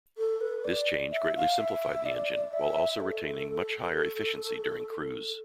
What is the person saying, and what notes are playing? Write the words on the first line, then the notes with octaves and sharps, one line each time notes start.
This change greatly simplified the engine, while also retaining much higher efficiency during cruise.
A4
B4
D5
E5
F5
E5
D5
E5
A4